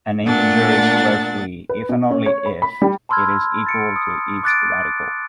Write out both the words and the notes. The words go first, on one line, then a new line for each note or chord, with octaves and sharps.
An integer is square-free if and only if it is equal to its radical.
A#2 A3 D4 F#5 A6
B4
B2
C#4
C#5
B5
B5
G3
A5 B5 C6 E6 F6 G#6
A6 C#7 D7
D#6
D6 F#6 A6 D7